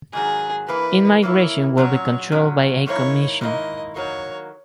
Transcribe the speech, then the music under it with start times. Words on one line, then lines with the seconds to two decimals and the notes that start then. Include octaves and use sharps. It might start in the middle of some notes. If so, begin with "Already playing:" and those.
Immigration would be controlled by a commission.
0.13 G#2 D#3 F#3 G#4
0.68 E3 A#3 E4 B4
1.22 E3 A#3 E4 C#5
1.77 A#2 F#3 C#4 C#5
2.32 A#2 F#3 C#4
2.87 G#2 D#3 A#3 E4 C#5
3.41 G#2 D#3 A#3 E4 D#5
3.95 D#3 F#3 A#3 C#5